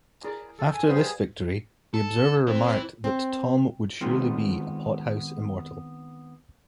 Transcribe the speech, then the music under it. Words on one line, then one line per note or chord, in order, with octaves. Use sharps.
After this victory, The Observer remarked that Tom would surely be a 'Pothouse Immortal'.
E4 G#4 A#4 D5
A4
G#5
G3 G#4 B4 C5 F5
A4
E3 C4
C4
D#3 G#3 B3 C4 F4